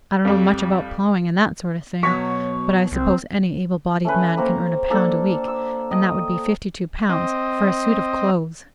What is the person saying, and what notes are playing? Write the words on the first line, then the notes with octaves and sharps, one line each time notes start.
I don't know much about plowing and that sort of thing, but I suppose any able-bodied man can earn a pound a week, and that would be fifty-two pounds for a suit of clothes.
F2 G3
B2 F#3 C#5 C#6 B6
C2 C4
A3 C#4 B4
A#3 C4 C#5 A#5
A#3 D4 A4
E6
D#5 G5
C4 D#5